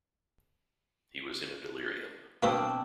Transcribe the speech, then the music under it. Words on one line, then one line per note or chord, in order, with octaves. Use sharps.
He was in a delirium.
B2 A#3 C4 D4 B4 C5